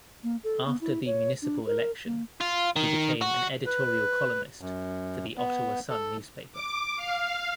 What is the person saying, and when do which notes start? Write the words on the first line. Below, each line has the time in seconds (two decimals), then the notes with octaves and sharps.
After the municipal election, he became an editorial columnist for the "Ottawa Sun" newspaper.
0.23 A#3
0.44 A4
0.66 B3
0.81 E4
1.06 C#5
1.42 D4
1.66 A#4
2.05 A#3
2.41 F4
2.76 D#3
3.21 F#4
3.66 B4
4.61 F#2
5.37 B3
5.90 A4
6.53 D6
6.96 F5